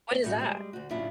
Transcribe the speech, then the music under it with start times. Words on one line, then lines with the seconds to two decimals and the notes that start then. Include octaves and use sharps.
What is that?
0.12 A3
0.24 A2 G3 A3 C#4 F#4
0.40 G3 G#3
0.73 D2 F#4
0.91 A2 C#3 F#3 D4 E4 F4